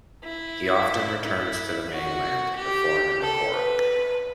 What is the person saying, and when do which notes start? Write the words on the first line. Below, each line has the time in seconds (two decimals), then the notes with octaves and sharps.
He often returns to the mainland to perform and record.
0.24 E4
1.24 E4
1.90 F#4
2.56 G4
3.22 A4
3.55 B4